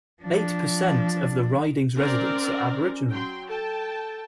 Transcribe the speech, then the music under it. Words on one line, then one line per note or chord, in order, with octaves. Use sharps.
Eight per cent of the riding's residents are aboriginal.
F3 D4
C4 C#4 A#4 D5
F#3 G5 C6
A4 G5 A5